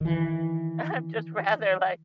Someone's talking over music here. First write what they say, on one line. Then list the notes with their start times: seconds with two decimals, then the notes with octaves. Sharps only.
I'm just rather, like,
0.01 D#3 E3